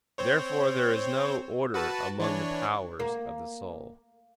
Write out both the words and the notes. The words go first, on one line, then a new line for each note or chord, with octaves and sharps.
Therefore there is no order among the powers of the soul.
C4 C5 C#5
F#4 B4 A5
E3 D4 C#5
A#3